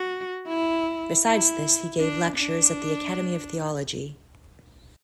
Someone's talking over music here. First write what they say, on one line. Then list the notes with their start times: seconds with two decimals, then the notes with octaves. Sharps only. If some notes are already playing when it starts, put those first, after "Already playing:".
Besides this he gave lectures at the academy of theology.
Already playing: F#4
0.48 E4
1.25 E4
2.00 D4
2.37 D4